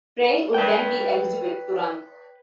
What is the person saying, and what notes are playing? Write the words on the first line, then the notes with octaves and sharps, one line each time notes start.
Frei would then be eligible to run.
B4 G5